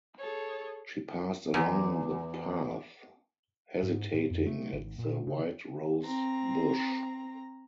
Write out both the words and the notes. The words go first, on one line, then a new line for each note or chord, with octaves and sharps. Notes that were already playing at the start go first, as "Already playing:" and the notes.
She passed along the path, hesitating at the white rose-bush.
G#4 A4 C#5
E2
G#2
A2
F2
A3
G#1
A#2
C#3
C4 A#5